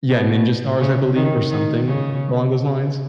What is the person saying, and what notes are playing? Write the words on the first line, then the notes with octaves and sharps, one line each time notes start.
Yeah, ninja stars, I believe, or something along those lines.
B2
C#3
D#3
D#3
C#3